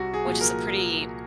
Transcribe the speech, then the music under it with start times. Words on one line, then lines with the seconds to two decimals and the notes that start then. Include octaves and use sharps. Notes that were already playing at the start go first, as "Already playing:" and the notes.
which is a pretty
Already playing: C2 F#4
0.14 G#4
0.26 A#2 F3
0.41 A#4